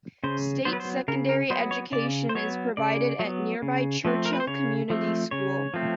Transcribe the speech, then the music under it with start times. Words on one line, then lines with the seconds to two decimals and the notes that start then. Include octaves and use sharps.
State secondary education is provided at nearby Churchill Community School.
0.24 C#3 C5
0.65 F#3 B3 C5
0.73 B4
0.80 C5
1.08 C#3 A#4
1.29 A#4
1.50 F#3 B3 C5
1.71 C#5
1.92 C#3 D5
2.29 C5
2.35 F#3 B3 C#5
2.77 C#3 D5
3.19 F#3 B3
3.62 C#3
4.05 F3 A3 C4
4.25 A#4
4.33 B4
4.40 C5
4.47 C#3 C#5
4.90 F3 A3 C4
5.31 C#3 C#5
5.74 F3 A3 C4